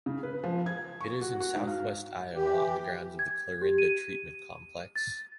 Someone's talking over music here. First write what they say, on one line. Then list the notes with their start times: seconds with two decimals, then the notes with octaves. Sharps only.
It is in southwest Iowa on the grounds of the Clarinda Treatment Complex.
0.06 C#3
0.23 B4
0.44 F3
0.66 G#6
1.01 C#6
1.21 F#4
1.40 F#4
1.55 G#2
1.67 F5
2.36 E3 G4
3.19 G#6
3.62 G4
3.78 D#7
4.96 A6